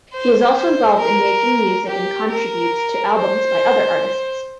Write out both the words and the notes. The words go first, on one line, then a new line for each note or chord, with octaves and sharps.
He is also involved in making music and contributes to albums by other artists.
C5
C5
A#4
G4
A#4
C5